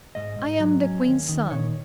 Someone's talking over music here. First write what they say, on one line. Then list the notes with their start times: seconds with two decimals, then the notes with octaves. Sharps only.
I'm the Queen's son.
0.15 G#2 D#5
0.39 G#2
0.60 F#3
0.84 C#4
1.06 D#2
1.28 D#3
1.51 A#2 C#5